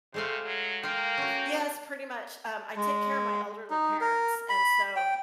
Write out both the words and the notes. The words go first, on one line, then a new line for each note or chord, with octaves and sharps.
Yes, pretty much, um, I take care of my elderly parents, and so
C3 G#3 A3 C5 F5
F#3 G#4
A#3 F4 F5 G5
C#4 F#4
G#3
D#4
A#4
B5
G5